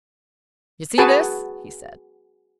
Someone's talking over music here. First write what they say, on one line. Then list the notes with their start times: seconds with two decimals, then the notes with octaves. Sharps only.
"You see this?" he said.
0.98 F#4 G#4 B4 G#5 A5